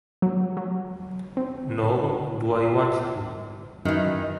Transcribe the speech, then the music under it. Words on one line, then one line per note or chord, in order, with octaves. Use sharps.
Nor do I want to.
F#3
F#3
C4
F#2 D#3 E3 D#5